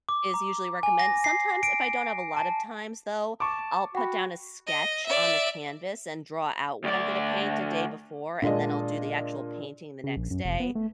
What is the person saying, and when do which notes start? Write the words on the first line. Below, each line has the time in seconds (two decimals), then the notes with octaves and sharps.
is usually recommend sometimes if I don't have a lot of times, though, I'll put down a sketch on the canvas and draw out what I'm gonna paint a day before, and then I'll do the actual painting the next day.
0.09 D6
0.34 A#5
0.83 G#5
0.99 A#6
1.24 C7
1.63 D7
2.37 A5
3.40 A5 C#6 D6
3.95 F#4 F#5 G5 B5
4.67 D#5
5.07 D5 E5
6.84 D2 D5
8.42 A#2 G#3 D4 D#5
10.04 C#3
10.17 A#1
10.31 F#2
10.45 F1
10.60 B3
10.75 A3